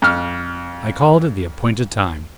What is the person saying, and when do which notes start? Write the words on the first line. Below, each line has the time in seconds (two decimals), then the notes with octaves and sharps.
I called at the appointed time.
0.02 F2 F6